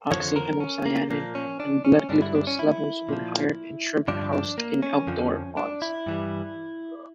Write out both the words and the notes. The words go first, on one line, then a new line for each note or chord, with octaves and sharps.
Oxyhemocyanin and blood glucose levels were higher in shrimp housed in outdoor ponds.
F2 D3 F3 C#5
A#4
C#4
A#3
A#2 F3 A#3
C#4
D4
C#4
G2 D3 G3 D4
E4
D4
C#4
E4
A#2 F3
G2 D3 F3 D4
D4
A#3
C#4
F2 D3 F3
D4
E4
G2 E3 G3